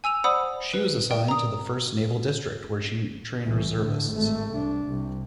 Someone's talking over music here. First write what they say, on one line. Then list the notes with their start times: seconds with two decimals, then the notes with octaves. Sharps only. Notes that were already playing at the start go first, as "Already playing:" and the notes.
She was assigned to the First Naval District where she trained reservists.
0.04 G#5 E6 D#7 F7
0.24 C5 D5 F#5 B5 D#6 E6
0.74 B4
1.11 A#4 D5 G5
1.28 A#5 D#6
3.44 C2 E3
3.77 A2 D3
4.11 G#1 A3
4.49 C2 D4
4.87 C2